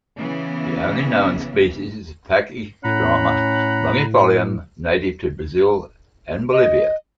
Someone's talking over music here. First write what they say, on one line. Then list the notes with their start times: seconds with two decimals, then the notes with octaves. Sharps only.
The only known species is Pachystroma longifolium, native to Brazil and Bolivia.
0.17 C#3 E3 B3
2.84 A2 C#4 F#5 A#5 B5
6.53 D#5